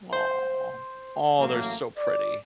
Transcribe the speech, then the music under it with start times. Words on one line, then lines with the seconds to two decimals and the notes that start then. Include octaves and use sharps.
Aw. Aw, they're so pretty.
0.13 C5
1.39 A1 F#3 A3 A#3
1.97 D5